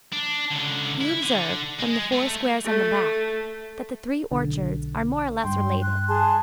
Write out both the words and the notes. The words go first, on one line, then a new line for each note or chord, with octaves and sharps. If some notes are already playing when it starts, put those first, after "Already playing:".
You observe, from the four squares on the back, that the three orchards are more or less related.
D4
C#2 D3
E4
D3
G#3
A3
A3
B1 D3
G2 G5 C6
F#6
G#4 A5 C6